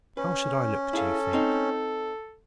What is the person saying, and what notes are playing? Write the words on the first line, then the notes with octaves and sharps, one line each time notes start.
How should I look, do you think?'
C#4 B4
E4 G#4 A4 F5
C4 D#4